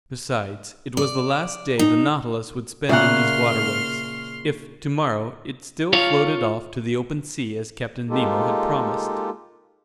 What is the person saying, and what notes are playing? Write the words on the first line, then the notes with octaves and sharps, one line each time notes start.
Besides, it was the last day the Nautilus would spend in these waterways, if, tomorrow, it still floated off to the open sea as Captain Nemo had promised.
D5
D#4
A#2 C#3 A#3 E5 F#5 C6 F6
F4 C#5 F5
G#3 A#3 D#4 F4 G4 A4